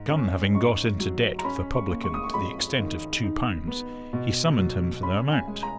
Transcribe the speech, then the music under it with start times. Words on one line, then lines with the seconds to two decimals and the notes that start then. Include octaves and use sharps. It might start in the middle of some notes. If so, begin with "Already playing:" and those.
Gun having got into debt with a publican, to the extent of two pounds, he summoned him for the amount.
Already playing: G#2
0.10 C#4
0.54 G#2 C#6
1.00 F#3
1.39 A#5
1.45 C#4 B5
1.74 C#6
1.89 A#3
2.04 C#6
2.14 D#6
2.24 C#6
2.34 F2 B5
2.79 D#3
3.24 D#4
3.68 B3
4.13 B2
4.58 F#3
5.02 C#4 B5
5.32 G#5
5.47 G#3
5.63 A#5